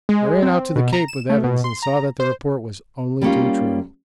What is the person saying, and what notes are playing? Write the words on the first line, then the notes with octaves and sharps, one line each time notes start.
I ran out to the Cape with Evans and saw that the report was only too true.
G#3
C4
B2
A#5
E7
A3
B2
C6
A#5
C5
G3 A#3 B3 C#4 D#4 F4